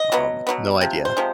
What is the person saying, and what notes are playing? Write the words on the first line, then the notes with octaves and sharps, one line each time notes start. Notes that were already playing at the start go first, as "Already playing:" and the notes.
Um, no idea.
Already playing: D#5
B2 F#3 B3
B2 F#3 B3
C3 F3
C5
C3 F3 G#3